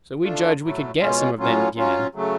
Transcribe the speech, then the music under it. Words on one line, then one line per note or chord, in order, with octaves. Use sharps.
So we judged we could get some of them again.
F3 A3 D4 F4
A2 F#3 A3
B2 G#3 C#4 F4
A2 F#3 C#4 F4
F#3 C#4 F4
C#3 F#3 A3